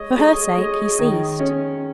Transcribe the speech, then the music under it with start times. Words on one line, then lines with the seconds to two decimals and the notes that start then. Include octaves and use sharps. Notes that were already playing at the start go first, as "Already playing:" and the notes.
For her sake he ceased.
Already playing: G#3 C#5 D#5
0.17 G#3
0.57 G#3
0.99 D#3
1.39 C#4